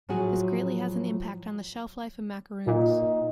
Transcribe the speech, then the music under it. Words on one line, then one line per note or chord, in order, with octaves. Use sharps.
This greatly has an impact on the shelf life of macaroons.
A2 F3 F#3 F#4 G#4
A#2 D#4